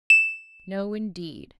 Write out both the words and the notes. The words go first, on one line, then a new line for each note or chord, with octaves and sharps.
"No, indeed."
E7